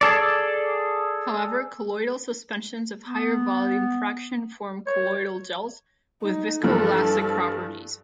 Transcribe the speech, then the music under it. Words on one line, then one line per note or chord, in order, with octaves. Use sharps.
However, colloidal suspensions of higher-volume fraction form colloidal gels with viscoelastic properties.
G#4 A4 D5
B3
C#5
D#4
G2 E3 F3 A4